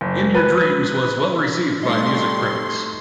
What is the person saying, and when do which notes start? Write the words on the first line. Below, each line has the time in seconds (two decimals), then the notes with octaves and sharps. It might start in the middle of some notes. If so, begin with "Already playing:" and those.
"In Your Dreams" was well received by music critics.
0.01 F#1
0.35 B4
1.83 G3 A3 D#4 C6